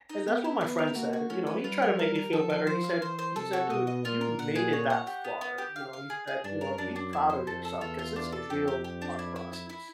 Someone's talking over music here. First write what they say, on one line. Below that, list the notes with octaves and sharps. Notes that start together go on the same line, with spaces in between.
And that's what my friend said, and you know he tried to make me feel better, he said he said, "Dude, you made it that far," you know he said, you know, "Be proud of yourself 'cause it's a real hard process."
D#4
B3 G4
E4
B3 E4
A#4
A#3 F#4
F#4
A3 C#4
B4
G3 F4
A#4
A#4
A#4
F3 A4
F5
F3 C5
F5
E3 C5
C5
C3 A4
F#4
B2 D#5
D#5
A#2 F4
A#4
A#2 F#5
G#4
C#5
F#5
G4
B3
B3
G4
F5
F5
G#4
G#4
G2 D4
A#4
F#2 D4
D4
F2 E4
C5
F2 A4
A4
E2 F4
F4
D4
A4
F2 G4
G4
G4
D4
E4
E4
E4
E4